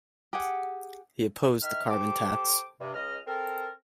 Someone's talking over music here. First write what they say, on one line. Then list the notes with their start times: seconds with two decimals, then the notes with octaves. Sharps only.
He opposed the carbon tax.
0.33 G4 G#4 F#5
1.63 D#3 E5 F6
1.90 G4 A4 C5 D6
2.80 G2 C3
2.95 C#2 D#5 F6
3.27 C4 A4 A#4